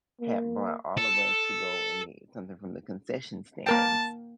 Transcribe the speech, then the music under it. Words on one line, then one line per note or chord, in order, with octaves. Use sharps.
had brought all of us to go and get something from the concession stands,
A#3
A4
A#3 A#4 G5 A5